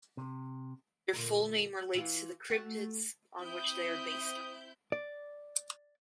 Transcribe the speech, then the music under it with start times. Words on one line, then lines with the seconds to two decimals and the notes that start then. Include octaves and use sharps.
Their full name relates to the cryptids on which they are based on.
0.17 C3
1.13 A#2 D3 A#4
1.95 E3 E4 F4
2.50 A3 F#4
3.38 C4 E4 D#6 G6
4.92 D5